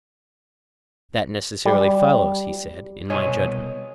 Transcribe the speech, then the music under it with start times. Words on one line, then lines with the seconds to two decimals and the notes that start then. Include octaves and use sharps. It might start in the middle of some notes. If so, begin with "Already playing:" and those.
That necessarily follows, he said, in my judgment.
1.65 G3
3.09 C2 B2 C#5 D#5 G#5